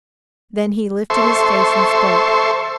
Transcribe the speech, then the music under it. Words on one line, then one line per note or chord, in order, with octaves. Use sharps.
Then he lifted his face and spoke.
A4 C5 E5 C6 C#6